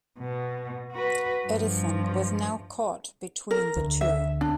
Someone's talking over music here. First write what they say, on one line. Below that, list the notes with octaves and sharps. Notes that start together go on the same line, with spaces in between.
Edison was now caught between the two.
B2
F#4 B4
G2 F3
A#4
D2
E5
D4